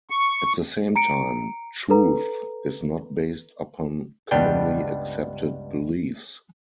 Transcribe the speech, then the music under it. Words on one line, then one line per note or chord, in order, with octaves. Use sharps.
At the same time, truth is not based upon commonly accepted beliefs.
C#6
A#5 C#7 D7
A4 B4 A#5
C#2 G2 G3 B3 D4 G5